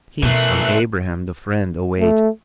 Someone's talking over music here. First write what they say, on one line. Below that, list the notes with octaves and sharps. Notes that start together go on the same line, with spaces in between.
Peace on Abraham the Friend await!
B2 E3 A3 A#4 F#6 C7
A3